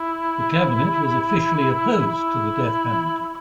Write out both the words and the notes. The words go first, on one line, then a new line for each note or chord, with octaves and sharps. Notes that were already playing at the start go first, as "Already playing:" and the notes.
The cabinet was officially opposed to the death penalty.
Already playing: E4
E4